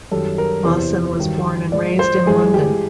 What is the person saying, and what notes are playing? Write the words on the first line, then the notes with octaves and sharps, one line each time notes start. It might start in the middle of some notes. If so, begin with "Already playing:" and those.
Lawson was born and raised in London.
F#2 D#3 G3 A4
A#4
E2 C3 E3 C5
G2 D#3 F#3
G#2 F3 G#3 D5
C5
G2 E3 G#3 G#4
G4